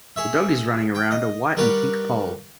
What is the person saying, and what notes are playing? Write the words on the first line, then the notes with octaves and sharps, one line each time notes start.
The dog is running around a white and pink pole.
G#4 C#5 E5
G5
D#5
G3 A#4 B4 C#5 D5 F#5